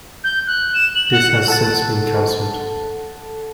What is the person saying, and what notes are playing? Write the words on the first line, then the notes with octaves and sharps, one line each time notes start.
This has since been cancelled.
G6
F#6
E7
F#7
F#5
A4 F#5 A5